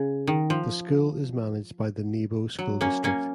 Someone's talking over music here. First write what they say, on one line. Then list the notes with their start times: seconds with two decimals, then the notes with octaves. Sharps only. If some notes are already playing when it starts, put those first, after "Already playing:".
The school is managed by the Nebo School District.
Already playing: C#3
0.27 D#3
0.50 F3
2.59 F#3
2.81 A#3 C#4
3.04 A#3 C#4